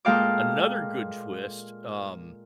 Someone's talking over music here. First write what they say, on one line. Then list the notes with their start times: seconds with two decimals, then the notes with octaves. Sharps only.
Another good twist, um,
0.05 A#2 G#3 A4 F5 G5 D6